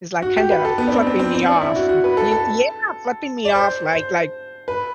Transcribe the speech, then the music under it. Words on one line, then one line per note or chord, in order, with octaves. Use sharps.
It's, like, kind of flipping me off. Y yeah! Flipping me off, like like
F#4
G4
B4
A4
B3
D4
C4
C4
C4
C4
D4
E4
F#4
F#4
B4
A4
A4
D5
C5
C5
B4